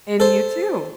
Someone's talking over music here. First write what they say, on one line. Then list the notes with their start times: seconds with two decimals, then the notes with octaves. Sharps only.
And, you too.
0.20 A4 C5